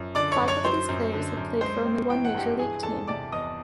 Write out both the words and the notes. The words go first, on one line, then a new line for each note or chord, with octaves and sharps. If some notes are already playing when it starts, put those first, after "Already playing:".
Five of these players have played for only one major league team.
Already playing: F#2 F3
D3 D5 D6
C#5 C#6
F#2
C#5 C#6
F#3 C5 C6
F#2
D3
F#2
G#3 C5 C6
C4
E3 G5
F#5
G2 G4 G5
E3 G#4 G#5
E2 A4 A5
C3 D5 D6
E2 D#5 D#6